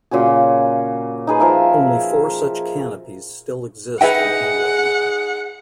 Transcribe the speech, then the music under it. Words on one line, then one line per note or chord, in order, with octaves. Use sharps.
Only four such canopies still exist in England.
A#2 C#3 F#4 G#4
D#4 G#4 B4
F3 G#4 A#4 E5
D#4 G#4 B4 E5 F#5 G5